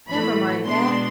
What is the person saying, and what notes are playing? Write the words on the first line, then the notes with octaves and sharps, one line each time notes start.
'Never mind that.
A2 E3 A3 B5
B2 G#3 B3 D4 C6